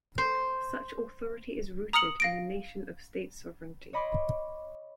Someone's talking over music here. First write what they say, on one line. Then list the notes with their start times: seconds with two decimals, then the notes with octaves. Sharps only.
Such authority is rooted in the notion of state sovereignty.
0.18 C5
1.93 A#5 D#6 F6 C#7 F#7
2.20 F5 A#6 D7
3.93 C#5 D#5 B5 C6 D6